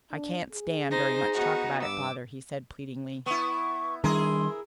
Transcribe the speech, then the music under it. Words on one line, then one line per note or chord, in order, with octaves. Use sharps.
"I can't stand very much talk about it, father," he said, pleadingly.
D4
G#4
D#4 C5 A#6
B3 D#4 F#4
G2 D6 E6
B3 E4 C#6
D#3 G3 D4 E4 G#4 A#4 C6